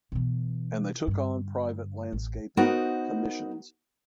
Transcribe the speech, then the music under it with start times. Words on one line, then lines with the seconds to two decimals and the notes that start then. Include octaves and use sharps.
And they took on private landscaping commissions.
0.12 B2 E3
1.07 G2 D3
2.12 A1
2.57 B3 D#4 F#4 A#4 C5